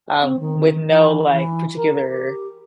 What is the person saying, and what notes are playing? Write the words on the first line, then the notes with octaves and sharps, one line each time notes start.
um, with no, like, particular,
C4
D#3
E3
E3
A#4
G4